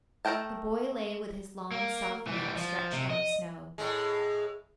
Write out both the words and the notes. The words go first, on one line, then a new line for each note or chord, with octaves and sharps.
The boy lay with his long soft neck stretched on the snow.
A3 F#4 A#4 G5 A5
A#3
E3 G3
F3
C3
D#5
A2 G#3